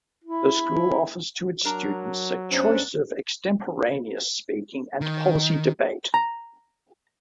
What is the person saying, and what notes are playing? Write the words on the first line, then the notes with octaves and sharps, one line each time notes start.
The school offers to its students a choice of Extemporaneous Speaking and Policy Debate.
E4
F#3 D4 A#4 A#5
F#2 B3 C#4 D4 C5
D#3
A#5